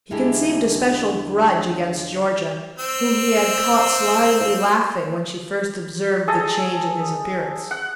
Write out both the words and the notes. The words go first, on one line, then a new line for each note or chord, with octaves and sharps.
He conceived a special grudge against Georgia, whom he had caught slyly laughing when she first observed the change in his appearance.
E2 D3 G#3 D4 E4 G4
C4 E6
G#4 A4 D#5
F#5